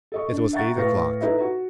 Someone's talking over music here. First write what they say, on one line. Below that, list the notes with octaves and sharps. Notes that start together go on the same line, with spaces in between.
It was eight o'clock.
A4 D#5 C#6
D4
E5 F#5 G5 A#5 C#6 A6
A2 B4 F5 C#6 A#6
D#4 E4 A4 B4 D#5 E5
F#4